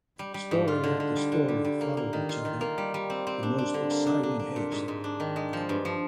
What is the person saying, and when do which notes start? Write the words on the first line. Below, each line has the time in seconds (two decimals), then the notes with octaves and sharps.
Story after story followed each other with the most exciting haste.
0.19 G3
0.34 G3
0.51 G#2
0.68 F4
0.84 D3
1.00 D3
1.16 G3
1.32 D3
1.48 G3
1.64 G3
1.81 A#3
1.97 A#3
2.13 D#3
2.29 F4
2.45 D#3
2.61 A#3
2.78 G3
2.94 G3
3.10 C4
3.27 C4
3.43 D4
3.58 D4
3.74 D3
3.90 A#3
4.07 D4
4.23 D4
4.39 D4
4.56 A#2
4.72 G#2
4.88 G#2
5.04 D4
5.20 D#3
5.36 G#3
5.53 F3
5.69 G2
5.85 F3